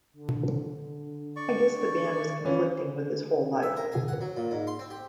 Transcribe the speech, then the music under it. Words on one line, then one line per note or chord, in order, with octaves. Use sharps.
I guess the band was conflicting with his whole life.
D3
D5 C#6
E3 C#4 F4
E5
A#4
G#4
F#5
F#3
A#2
G#2
C6
C4
G4